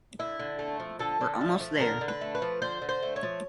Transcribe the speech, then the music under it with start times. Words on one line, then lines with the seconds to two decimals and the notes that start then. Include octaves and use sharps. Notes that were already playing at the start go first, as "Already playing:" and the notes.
We're almost there.
0.19 D3 E4
0.39 D3
0.59 A3
0.80 F3
0.99 D3 A4
1.21 D3
1.41 A3
1.60 F3
1.80 D3 A#4
2.01 D3
2.08 B4
2.21 A3
2.35 B4
2.42 F3
2.62 D3 C5
2.82 D3
2.89 C5
3.03 A3
3.16 C#5
3.23 F3